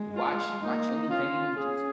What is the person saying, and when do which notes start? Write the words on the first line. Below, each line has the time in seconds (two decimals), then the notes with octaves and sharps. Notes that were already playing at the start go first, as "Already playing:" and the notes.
watch watch anything, just
Already playing: G#3
0.15 F4
0.63 A#3 D#4
1.09 C#4 F4
1.57 C#4 G#4